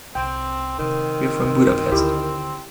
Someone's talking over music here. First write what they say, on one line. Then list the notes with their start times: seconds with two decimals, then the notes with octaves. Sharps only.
We’re from Budapest.
0.15 C2 C4 G5
0.79 C3 D#3 G#3 C4
1.44 G2
1.92 D2 E4 G4